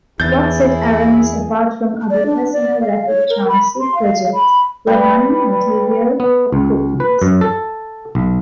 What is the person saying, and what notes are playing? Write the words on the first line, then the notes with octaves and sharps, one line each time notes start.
What set Aramis apart from other personal rapid transit projects were non-material couplings.
E2 E4 G#4 G6 A6
D5
D4
D5
F5
C#5
A#4
B5
C6
F5
B5
G3 B4
B3
C#2
B4
F#2
A4
B1